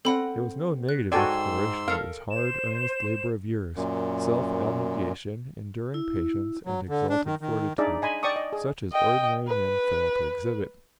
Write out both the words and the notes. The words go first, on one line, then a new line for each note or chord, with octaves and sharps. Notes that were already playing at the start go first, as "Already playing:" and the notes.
It was no negative exploration, it was hard, earnest labor of years, self-abnegation, enduring patience, and exalted fortitude, such as ordinary men fail to exhibit.
C4 A4 F#5 B5
F#6
G#2 F#4 A4 D5 G5 G#5 C6 E6
A4 A#4 F5
C5 E7
F#2 A#2
E4
F#3
D3
D4
D#3
D#3
D4 D#4 G#4 D5 E5
D#5 G#5 B5 C6
D5 G5 A5 C#6 D#6
D#5
G#4
D#5 G5
B4